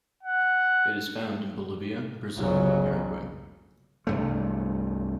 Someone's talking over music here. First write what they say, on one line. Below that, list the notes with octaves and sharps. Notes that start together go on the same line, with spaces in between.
It is found in Bolivia, Brazil, and Paraguay.
F#5
G1 C2 F2 C#3 F#3
C2 G2 A3